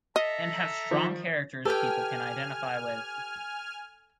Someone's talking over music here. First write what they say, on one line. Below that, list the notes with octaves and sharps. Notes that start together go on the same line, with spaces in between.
And have strong characters people can identify with.
A4 D#5 E5 A#5
D#3 F3
G4 A4 B4 G5 G#5 F6